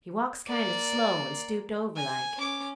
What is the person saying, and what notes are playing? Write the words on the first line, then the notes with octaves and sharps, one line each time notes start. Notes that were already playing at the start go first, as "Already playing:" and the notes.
"He walks kind of slow and stooped over, like."
A#3 D5
G#5
C#4 D6